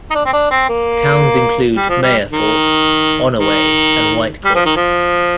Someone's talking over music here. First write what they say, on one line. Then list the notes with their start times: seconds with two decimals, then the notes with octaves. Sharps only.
Towns include Mayerthorpe, Onoway and Whitecourt.
0.11 D#4
0.15 D4
0.25 C4
0.33 D4
0.51 C4
0.69 A#3
1.76 G3
1.89 F3
2.03 G3
2.31 D#3
3.38 D#3
4.45 G3
4.55 F3
4.65 D#3
4.76 F3